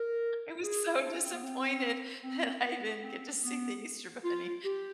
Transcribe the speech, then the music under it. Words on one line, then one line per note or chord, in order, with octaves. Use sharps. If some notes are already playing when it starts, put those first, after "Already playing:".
I was so disappointed that I didn't get to see the Easter bunny,
Already playing: A#4
G#4
D4
C#4
C4
B3
C4
C4
B3
C4
B3
F4
G4